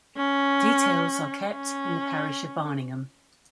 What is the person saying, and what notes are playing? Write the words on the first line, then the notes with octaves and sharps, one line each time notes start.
Details are kept in the parish of Barningham.
C#4
C#4